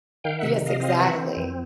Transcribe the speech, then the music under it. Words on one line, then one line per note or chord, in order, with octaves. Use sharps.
Yes, exactly.
D#3 F5 G5
C3 E5 F#5
C3 D#5 F5
C4 D#5 F5
E3 E5 F#5
C4
F2